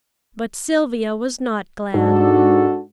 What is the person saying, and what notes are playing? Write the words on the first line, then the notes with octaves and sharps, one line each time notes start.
But Sylvia was not glad.
G#2 D4 F#4 A4